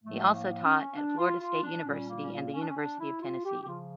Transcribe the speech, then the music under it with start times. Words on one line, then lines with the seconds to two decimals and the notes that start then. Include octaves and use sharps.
He also taught at Florida State University and the University of Tennessee.
0.04 A2 F3 A3
0.34 A#3
0.64 C#4
0.95 D4
1.18 F4
1.40 F4
1.63 D4
1.86 A#2 G3 C#4
2.09 A#3
2.22 C#4
2.31 A#3
2.54 C#4
2.61 D4
2.68 C#4
2.77 D4
2.99 E4
3.22 F4
3.45 G4
3.62 G4
3.67 C#3 F3 F4